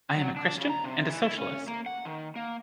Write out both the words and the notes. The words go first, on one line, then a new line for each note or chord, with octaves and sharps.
I am a Christian and a Socialist.
F#3
D4
C#3
A#5
C3
E3
E4
C#4
A#3
F#5
D#3
A#3